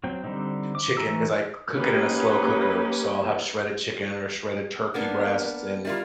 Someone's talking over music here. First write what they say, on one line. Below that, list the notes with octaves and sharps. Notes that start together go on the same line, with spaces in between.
chicken 'cause I cook it in a slow cooker, so I'll have shredded chicken or shredded turkey breasts and
F#3 C4 G5
D3 G3 C4 D#4
D6
E3 A3 G#5 A#5 E6
A#3 C#4 D#4 G4 B4
A#3 B3 D4 A#4
G3 E4 F4 A#4